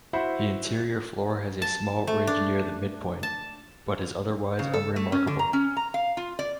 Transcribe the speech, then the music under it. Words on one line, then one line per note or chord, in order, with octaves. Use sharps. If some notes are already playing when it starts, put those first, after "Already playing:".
The interior floor has a small ridge near the midpoint, but is otherwise unremarkable.
E4 F#4 C5 E5 F#5 B5
A5
A3
D4
A5
C#3
A4
A3
C#4
D3
A#5
C#4
A#5
F5
F4
D5